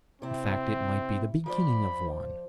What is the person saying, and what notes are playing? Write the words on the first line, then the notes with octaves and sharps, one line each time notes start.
In fact, it might be the beginning of one.
C3 C4 E4
F3 C5 D5 B5